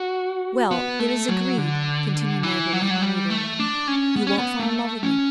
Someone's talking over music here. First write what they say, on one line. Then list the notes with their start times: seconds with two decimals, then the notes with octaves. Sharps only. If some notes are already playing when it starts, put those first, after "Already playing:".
"Well, it is agreed," continued Marguerite, when we were alone, "you won't fall in love with me?"
Already playing: F#4
0.71 B3
0.99 A3
1.29 F#3
1.58 D3
2.43 E3
2.73 F#3
2.82 G3
2.90 F#3
3.02 G3
3.30 A3
3.59 D4
3.88 C#4
4.16 B3
4.27 C#4
4.38 B3
4.59 A3
5.03 C#4